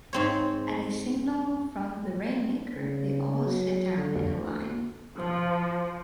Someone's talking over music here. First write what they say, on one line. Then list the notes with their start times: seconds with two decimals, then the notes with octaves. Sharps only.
At a signal from the rainmaker, they all sit down in a line.
0.13 G#2 C4 C#5
2.76 C#3
3.46 F#3
3.97 D3
4.36 D2
5.17 F3